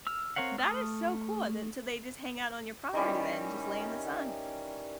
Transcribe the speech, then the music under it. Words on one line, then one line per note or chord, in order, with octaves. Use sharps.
That is so cool, and then so they just hang out on your property then, just lay in the sun.
E6 F6
C4 A#4 C#5 F5 F#5
A3 D#6 F6
D#3 E3 G3 C#4